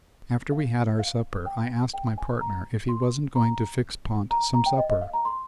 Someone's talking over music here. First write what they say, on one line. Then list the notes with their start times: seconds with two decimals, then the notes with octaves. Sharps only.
After we had our supper I asked my partner if he wasn't going to fix Pont some supper.
0.52 F5
0.99 F5
1.46 G5
1.94 G5
2.18 G#5
2.41 A#5
2.89 C6
3.35 A#5
4.31 A#5
4.54 A#5
4.66 G5
4.78 D#5
4.90 D#5
5.01 F5
5.13 A#5
5.25 C6